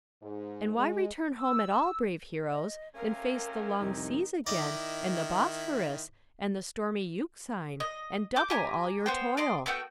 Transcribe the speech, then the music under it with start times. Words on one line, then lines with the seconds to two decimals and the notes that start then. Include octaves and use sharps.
And why return home at all, brave heroes, and face the long seas again, and the Bosphorus, and the stormy Euxine, and double all your toil?
0.22 G#2
0.77 G#3
1.37 E6
2.50 D#5
2.95 C3 A3 C#4 A#4 F5
3.80 C2 F2 D#3 D#4
4.47 D#3 E4 D5 D#5
7.80 D#5
8.36 D6 G6
8.50 G4 G#5 A#5
9.06 B3 C5 G5
9.37 D5 D#5 C6
9.66 A3 B3 F#4 G5